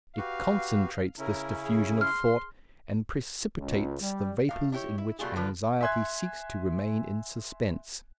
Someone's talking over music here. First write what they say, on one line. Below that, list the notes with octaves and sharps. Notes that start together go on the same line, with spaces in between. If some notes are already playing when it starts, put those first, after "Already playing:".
It concentrates this diffusion of thought, and precipitates the vapours in which anxiety seeks to remain in suspense.
F#4 G4 B4 F5
C#3 C#4 E4 A#4
G#4
C6 F6
C#2
G3
A2 G#3 F5
D4 E4 G4 C#5
E4
B2 G3 A3 F4 G#4
D3 F3 D4 F4 B4
E5 G#5 C6 F#6 G#6